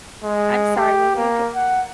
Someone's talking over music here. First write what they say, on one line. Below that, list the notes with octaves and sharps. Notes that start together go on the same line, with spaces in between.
I'm sorry, what were you g
G#3
G4
A#3
F#5